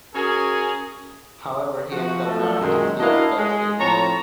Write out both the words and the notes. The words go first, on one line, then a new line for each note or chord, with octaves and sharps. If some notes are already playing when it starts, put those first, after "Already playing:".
However he ends up marrying Tithi accidentally.
C#4 F#4 G#4 A#4
F3 F#4
F3 F#3 A3 A4
F#2 A#2 D#3 G#3
D4 E4 F#4 A#4 D#5 F5
G#3
A2 F3 C4 C#5 A5 A#5